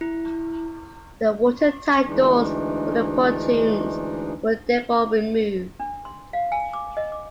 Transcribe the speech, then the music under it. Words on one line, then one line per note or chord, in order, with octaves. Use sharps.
The watertight doors for the pontoons were therefore removed.
E4
D2 E3 G#3 D4 D#4
D4
C6
F5
G#5
D6
D#5
D6